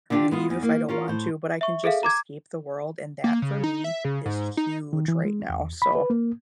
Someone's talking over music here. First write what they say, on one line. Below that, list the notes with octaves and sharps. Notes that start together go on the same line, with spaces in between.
leave if I don't want to, but I can just escape the world, and that for me is huge right now, so
D3 B3 D4 D#4 F4 G4
G#3 B3 F4
E2
A#3
C#4 F4 A#4
A2 C5
E5 C#6
G#4 A4 E5 F5
A#5 D6 G#6
A#3
C#3
D#4
E5
C#3
G#2
D#4
D#3
E3
G#3
E2
B5
B4
A#3